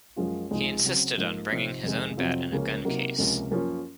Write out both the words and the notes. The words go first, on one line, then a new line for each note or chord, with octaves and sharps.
He insisted on bringing his own bat in a gun case.
F#2 F3 G#3 C#4 F4
C#2 C3 F3 G#3 D#4
C#3 F#3 C4
G#2 F3 A#3
C3 F3 C4 D#4
F2 C3 D#3 G#3
F2 C3 F#3 C4 F4
C#2 C#3 F3 A#3 C#4
C3 F#3 A#3 D#4
C#2 C3 F3 A#3 C#4
F#2 F3 A#3 C#4 F4